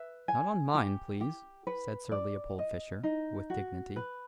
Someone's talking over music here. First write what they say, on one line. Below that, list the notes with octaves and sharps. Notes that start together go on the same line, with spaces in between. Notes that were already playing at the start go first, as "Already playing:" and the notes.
"Not on mine, please," said Sir Leopold Fischer, with dignity.
Already playing: B4 E5
G#5
G4
G4
B4
D5
D#5
D#4
F#4
B4